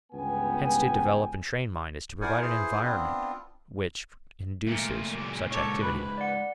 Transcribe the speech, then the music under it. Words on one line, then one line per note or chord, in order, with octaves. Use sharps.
Hence to develop and train mind is to provide an environment which induces such activity.
G1 C#2 B3 G5 G#5
E4 A#4 C5 D5 F#5 G#5
E4 G#4 B4 C5 C6
B3 C4 D4 F4
C#2 A#2 A3 A#3
F#3 G#4
C#3 G#3 D#4 A4 C#5 C#6 D6
B4 B5 F#6
D5 F#5